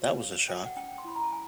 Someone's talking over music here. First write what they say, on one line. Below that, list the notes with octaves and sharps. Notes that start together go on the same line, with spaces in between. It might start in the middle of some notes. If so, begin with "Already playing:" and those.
That was a shock.
Already playing: F#4
C#5 F5
A4 G5
F#5
C#4 G5
C6
E4 B5
A#5
A5
G#5